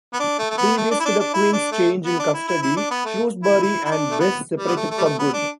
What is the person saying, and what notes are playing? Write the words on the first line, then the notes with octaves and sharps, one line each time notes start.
Previous to the Queen's change in custody, Shrewsbury and Bess separated for good.
B3
D4
A3
A3
B3
A3
D4
E4
D4
D4
E4
D4
A3
B3
D4
E4
E4
E4
D4
B3
A3
E4
E4
E4
D4
A3
B3
G3
B3
A3
A3
G3
A3
B3
D4